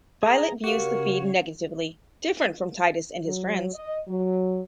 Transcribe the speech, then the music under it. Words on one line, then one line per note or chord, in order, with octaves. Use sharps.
Violet views the feed negatively, different from Titus and his friends.
G#4 A#5
C#3 F#4 G4 A#4 C#5 F5
F#3
D#5
F#3